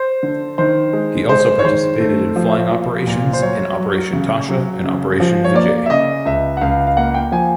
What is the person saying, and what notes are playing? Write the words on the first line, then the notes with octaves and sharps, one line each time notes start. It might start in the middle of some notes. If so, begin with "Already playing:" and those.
He also participated in flying operations in Operation Tasha and Operation Vijay.
Already playing: C5
D3
D#3 C5
G#3
G#3 C5
C#5
D#3 C5
A3
F3
F3
A#2
C5
F#3 C#5
F#3
C#3
F#3
C#3
F3
C#5
A#3 D5
E5
C#3 D#5
C#2 E5
F#5
C#2 F5
F5
A#3 F#5
G5
F3 G#5